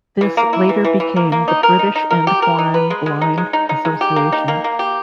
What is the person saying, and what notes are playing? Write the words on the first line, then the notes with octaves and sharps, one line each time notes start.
This later became the British and Foreign Blind Association.
E3
A#3
E4
E3
E3
E3
A#3
A#3
D#4
A#4
D#4
D#4
A#4
G4
A#4
D#4
B4
G#3
G#3
D#4
G#3
D#4
D#4
G#3
G4
A#3
D#4
A#3
A#3
G4